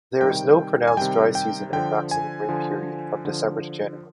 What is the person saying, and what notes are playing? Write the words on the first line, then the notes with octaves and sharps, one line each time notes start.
There is no pronounced dry season and maximum rain period from December to January.
C3 D#3 G3 G5
G#5
C3 D#3 G3 G5
G5
D3 F3 G5
G#5
D3 F3
D3 F3